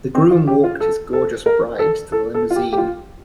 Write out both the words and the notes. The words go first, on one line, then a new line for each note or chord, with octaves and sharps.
The groom walked his gorgeous bride to the limousine.
C4
F4
G4
F4
A4
A4
A#4
A4
A4
A4
F4
G4
G4
F4